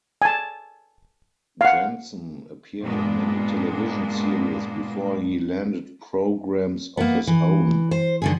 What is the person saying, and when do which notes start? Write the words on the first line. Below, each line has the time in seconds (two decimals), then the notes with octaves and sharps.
Janssen appeared in many television series before he landed programs of his own.
0.22 G#5 A5
1.61 F5 F#5
2.83 G2 A#2 G#3 A#3 B3 D4
6.97 A#3 B3
7.27 E3
7.91 C5
8.22 D3 D#3 G#4